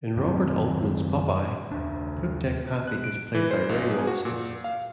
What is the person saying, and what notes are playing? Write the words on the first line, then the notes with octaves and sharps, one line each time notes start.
In Robert Altman's "Popeye", Poopdeck Pappy is played by Ray Walston.
F#2 D#3 C4
D#2 D4
F#6
D7
E3
C5
B1
G#4
F#4
A#2
F5